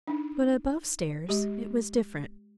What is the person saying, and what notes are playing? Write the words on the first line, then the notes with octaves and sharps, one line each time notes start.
But above-stairs it was different.
D4 D#4
G#3 G4